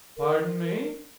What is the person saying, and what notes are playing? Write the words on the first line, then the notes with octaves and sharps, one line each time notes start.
"Pardon me!"
A#4